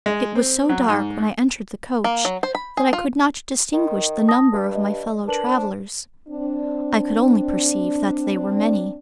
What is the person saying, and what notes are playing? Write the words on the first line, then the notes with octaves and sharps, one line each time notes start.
It was so dark when I entered the Coach that I could not distinguish the Number of my Fellow-travellers; I could only perceive that they were many.
G#3
C4
F#3
G#2
A#3
F#3
C5
B5
G#4
F4
D#3
A5 D#6 A#6
G2
D5 D#5
D4 A#4 B4 F#7
C5
C4 D4